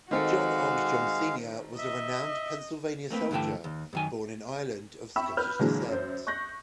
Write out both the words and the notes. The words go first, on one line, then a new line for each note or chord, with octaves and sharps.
John Armstrong Senior was a renowned Pennsylvania soldier born in Ireland of Scottish descent.
D#3 G#3 C4 F#4 A4 F5
D#5 E5
A3 A#3 C4 B4
G2 D3 E3 A3 G5 A5
D#2
F#2 D#3 G#5
E5 G5 B5 C#6 E6
B4 F6 G6
A#2 D3 E3 F#3 G#3
F#2 C5
C#6 F#6 G6 A#6